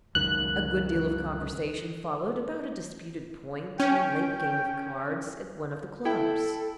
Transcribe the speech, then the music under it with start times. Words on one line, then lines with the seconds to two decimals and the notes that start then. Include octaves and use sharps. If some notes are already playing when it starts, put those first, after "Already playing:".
A good deal of conversation followed about a disputed point in a late game of cards at one of the clubs.
0.15 C#2 F#2 D#3 F#6
3.80 C#4 G5
6.05 E4 A4 G5